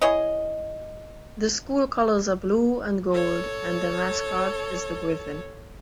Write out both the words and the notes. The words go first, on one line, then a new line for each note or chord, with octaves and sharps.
The school colors are blue and gold and their mascot is the Griffin.
E4 G#4 C#5 D#5
A4 C#5